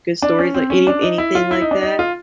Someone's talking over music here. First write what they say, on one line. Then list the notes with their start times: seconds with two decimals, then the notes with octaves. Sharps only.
good stories, like any anything like that?
0.22 D4
0.39 C#4
0.54 C4
0.70 C#4
0.87 D4
1.02 D#4
1.18 E4
1.35 F4
1.51 E4
1.61 D#4
1.71 D4
1.82 D#4
1.99 F4